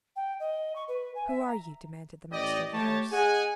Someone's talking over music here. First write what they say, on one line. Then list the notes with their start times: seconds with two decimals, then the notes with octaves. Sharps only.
"Who are you?" demanded the master of the house.
0.16 G5
0.39 D#5
0.75 C#6
0.88 B4
1.15 G#5
1.27 E5
1.47 A#5
2.32 A1 G4 D5 D#5
2.72 A3 G4 C#5 A5
3.12 G#4 D#5 F#5 G#5